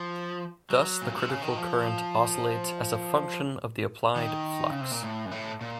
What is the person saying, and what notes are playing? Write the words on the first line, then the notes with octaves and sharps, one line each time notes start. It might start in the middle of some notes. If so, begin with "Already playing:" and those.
Thus the critical current oscillates as a function of the applied flux.
Already playing: F3
F#3
A#2
C3
C#3
D#3
F3
D#3
C#3
C3
A#2
A2
F#2
A2
A#2